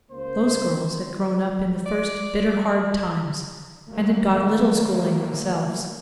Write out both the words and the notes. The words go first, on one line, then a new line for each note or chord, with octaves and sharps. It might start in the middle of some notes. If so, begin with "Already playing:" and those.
Those girls had grown up in the first bitter-hard times, and had got little schooling themselves.
C#2 A#3 C5
D5
D#3 F#3 G3 A3 A#3